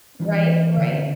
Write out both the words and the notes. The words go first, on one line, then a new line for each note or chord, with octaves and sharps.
Right, right.
E3
D3